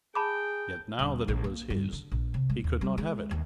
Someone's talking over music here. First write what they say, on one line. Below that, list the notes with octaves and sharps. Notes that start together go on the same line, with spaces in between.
Yet now that it was his, he could not have it.
G#4 G5 A5 B5 D6
D#1
A#1
A#3
G2
D3
A#1
C3
G#3
D#2
G3
G#3
D#2